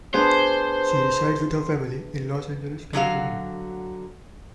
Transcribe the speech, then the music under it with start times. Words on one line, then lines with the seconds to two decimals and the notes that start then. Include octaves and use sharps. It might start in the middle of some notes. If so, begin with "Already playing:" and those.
She resides with her family in Los Angeles, California.
0.14 B3 D4 G#4 C5
2.93 D3 F#3 F#4 F5